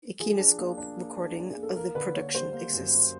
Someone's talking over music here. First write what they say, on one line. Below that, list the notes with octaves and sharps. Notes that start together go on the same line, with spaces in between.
A kinescope recording of the production exists.
F3 G#4
D4
A#3
D4
A#3
D4
D4
G#4
A#3
A4
A#3 A#4
D3 B4
A#3 C#5
G3 C5
A#3
F#2
A#3